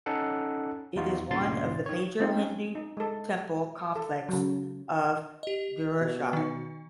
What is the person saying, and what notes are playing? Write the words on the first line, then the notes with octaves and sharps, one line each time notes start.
It is one of the major Hindu Temple complex of Gujarat.
C#4 D#4 A4 F#5
E2 D#4 F4 F#4
B1 G2 A#2 C#3 C6 A6
D#3 C#5
G#3 C4 D#4 F4
C#4
D#4
G#3 A4
A4
C#3 F#3
G4 D#5
B2
D#3 D#4